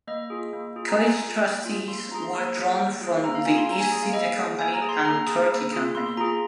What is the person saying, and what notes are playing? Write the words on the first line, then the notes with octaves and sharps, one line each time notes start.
College trustees were drawn from the East India Company and Turkey Company.
A#3 D#5
F4 G#4
A#3
F4 G#4
A#5
A#3 G#5
F4 G#4
A#3
F4 G#4
A#3 C6
C6
F4 G#4 A#5
C6
A#3
F4 G#4
A#3
F4 G#4
A#3 A#5
F5
F4 G#4 G#5
C6
A#3 A#5
G#5
G#4
F5
A#3 D#5
G#4
A#3 G#5
A#5
G#4
C6
A#3 A#5
G#4
A#3
F4 G#4
A#3 C6
F4 G#4 A#5